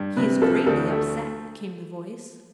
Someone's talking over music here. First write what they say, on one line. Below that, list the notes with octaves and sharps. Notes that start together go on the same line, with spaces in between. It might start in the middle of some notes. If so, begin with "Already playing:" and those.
"He's greatly upset," came the voice.
Already playing: G2
C3 B4
F3 A4
D2 A4
A3